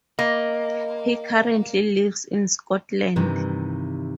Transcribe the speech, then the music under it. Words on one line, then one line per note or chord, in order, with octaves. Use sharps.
He currently lives in Scotland.
A#3 D#5
G2 C3 D#3 E3